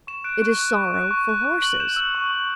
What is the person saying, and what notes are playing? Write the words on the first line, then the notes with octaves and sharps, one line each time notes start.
It is sorrow for horses.
C#6 E7
F#6 D7
C#6
F#6
C#6
F#6
C#6
F#6
C#6
C#6 F#7
G6 E7
E6
C#6
C#6